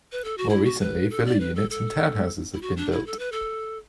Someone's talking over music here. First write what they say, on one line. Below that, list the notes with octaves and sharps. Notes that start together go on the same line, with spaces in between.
More recently villa units and townhouses have been built.
B4
A4
F#4
E4
F#4
B4
A4
D5
B4
A4
A4
E4
F#4
D4
E4
A4
B4
A4